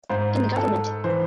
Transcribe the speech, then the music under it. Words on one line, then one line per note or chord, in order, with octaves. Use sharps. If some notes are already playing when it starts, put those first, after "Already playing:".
In the Govt.
G#2 C5
G#2 A4
E3 C5